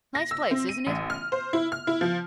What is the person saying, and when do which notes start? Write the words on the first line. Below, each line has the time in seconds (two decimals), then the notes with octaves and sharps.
Nice place, isn't it?
0.15 A#6
0.31 E6
0.51 C4
0.69 D#7
0.87 A1
1.10 F6
1.32 C5
1.53 E4
1.72 F6
1.87 E4
2.01 F3